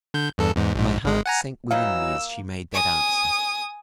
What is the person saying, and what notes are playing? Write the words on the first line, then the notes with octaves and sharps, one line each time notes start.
My heart sank within me as she made that answer.
D3 G6
E2 G2 A4
E2 G#2
A#1 G#2
G#1 G#3
F#5 G#5 A#5
E3 F#3 D#4 F5 E6
A#3
G#5 D#6